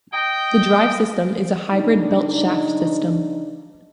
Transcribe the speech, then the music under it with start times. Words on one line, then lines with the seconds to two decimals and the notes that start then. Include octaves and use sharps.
The drive system is a hybrid belt-shaft system.
0.13 D#5 G5
1.73 C#3 D4 D#4